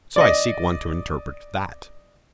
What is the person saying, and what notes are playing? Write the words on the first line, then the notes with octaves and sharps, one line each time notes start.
So I seek one to interpret that.
D5 D#5